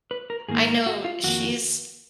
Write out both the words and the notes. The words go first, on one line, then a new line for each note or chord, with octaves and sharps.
I know she's
B4
A#4
G#2 D#3 A#3 G#4
A#4
F#4
F4
F2 D#3 A#3 F#4